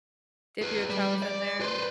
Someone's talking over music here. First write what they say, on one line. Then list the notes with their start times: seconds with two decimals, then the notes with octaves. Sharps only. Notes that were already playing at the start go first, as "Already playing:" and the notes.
Dip your toes in there,
0.62 G#4 B4
0.90 G3
1.22 D5
1.61 B4 C5